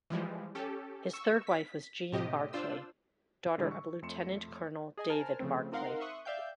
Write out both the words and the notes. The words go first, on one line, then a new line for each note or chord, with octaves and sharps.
His third wife was Jean Barclay, daughter of Lieutenant-Colonel David Barclay.
E3 F3 G3 G#3
C#4 G4 A4
C#6 E6
B6
A2 C3 G4 D#5
D4 F4 C5 E6
A2 D3 E3 G3 G#3 E6
C#6
F2 A3 C6 C#7 E7
G#4 D#5 G#5
A#4 C5 G#5 A5 F6
C#3 F3 A3 C4
C4 D#4 A#4 F5 F#5 C6
E5 C6 C#6 D#6 F#6
D5 E5 F5 G5 G6